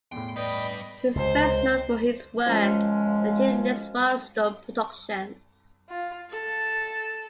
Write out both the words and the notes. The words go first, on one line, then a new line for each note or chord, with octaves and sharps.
He is best known for his work at Jim Lee's Wildstorm Productions.
E2 A2 G5 C6
G2 B4 D5 D#5 G5 B5
C#2 C3 C5
F#2 F3 G#3 C#4
F4
A4